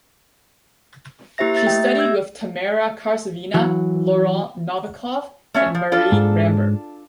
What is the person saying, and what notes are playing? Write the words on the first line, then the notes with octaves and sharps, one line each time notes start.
She studied with Tamara Karsavina, Laurent Novikoff and Marie Rambert.
A#3 E4 G4 C5 E5 A#6
E5 A6
A3 G5
G4 E5
E6 G6 G#6
E3 F#3
A3 C#4 E5
F3
D4 F4 A4
G#2